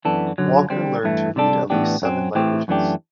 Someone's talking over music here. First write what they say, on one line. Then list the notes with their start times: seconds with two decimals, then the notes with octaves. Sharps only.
Walker learned to read at least seven languages.
0.05 F#2 E3 B3 D4 A4
0.38 F#2 D3 F#3
0.70 D3 G3 C4
1.04 G2 E3 A3
1.36 C3 G3 D4 A4
1.70 A2 E3 B3 D4 G4
2.02 F#2 F#3 C4
2.35 A2 E3 A3 C4 G4
2.68 F#2 E3 A3 D4 G4